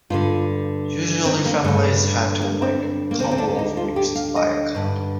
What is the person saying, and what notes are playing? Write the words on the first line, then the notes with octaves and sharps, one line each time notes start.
Usually families had to wait a couple of years to buy a car.
G2 D3 F4
C4
A#3
G2 D3 A3
A#3
C4
A#3
D2 D3 C4
C4
D4
D#4
F4
G4
F5
D#5
G2 D3